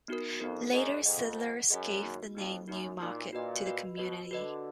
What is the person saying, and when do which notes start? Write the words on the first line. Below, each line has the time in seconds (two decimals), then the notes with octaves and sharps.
Later settlers gave the name New Market to the community.
0.08 B3 D#4 F#4 A#4
0.40 F2 B3 D#4 F#4 A#4
0.72 F#2 G#4 D#5 F#5
1.05 F2 G#4 D#5 F#5
1.38 G#4 D#5 F#5
1.70 F#2 G#4 D#5 F#5
2.03 A#3 D#4 F#4
2.35 F2 A#3 D#4 F#4
2.67 F#2 A#3 D#4 F#4
3.00 A#2 A#3 D#4 F#4
3.33 A#2 F#4 B4 D#5
3.66 F#4 B4 D#5
3.97 B2 F#4 B4 D#5
4.30 D3 F#4 B4 D#5